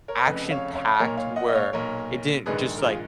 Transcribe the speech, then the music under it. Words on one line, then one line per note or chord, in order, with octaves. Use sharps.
action-packed where it didn't just, like,
A#4 C#5
F1 F2 C#3 B4 D#5
C#5 F5
C#5 F5
B1 A#2 A#4 C#5
C#5 F5
D#5 F#5
D#5
C#5 F5
B1 A#2 A#4 C#5
A#1 G#2 D#3 G#4 B4
A#4
F4 G#4